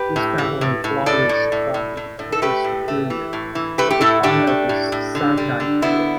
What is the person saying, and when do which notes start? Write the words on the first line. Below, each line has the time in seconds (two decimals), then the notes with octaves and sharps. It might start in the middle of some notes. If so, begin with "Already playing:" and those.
This family flourished from the earliest period to the time of the Samnite Wars.
Already playing: G4 B4
0.16 A2
0.38 E3
0.61 A2
0.84 A2
1.06 A2 A4 D5
1.29 A2
1.52 A2
1.74 A2
1.97 A2
2.19 A2
2.32 A4
2.42 A3 G4 B4
2.64 A2
2.88 A3
3.10 E3
3.33 A2
3.55 E3
3.78 A3 G4 B4
3.90 G4
4.01 A2 E4 A4
4.23 A3 D4 G4
4.47 A3
4.69 A2
4.92 A2
5.15 D3
5.37 G3
5.60 D3
5.82 D3 B3 E4